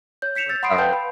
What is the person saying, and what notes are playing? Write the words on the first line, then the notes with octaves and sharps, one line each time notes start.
But it's alright.
C#5 G6
G6 B6 C#7 E7 F7
E6 G6 A6
F#5 B5 C6 D#6 C7 D7
B4 F5 G5 A5 G6
B5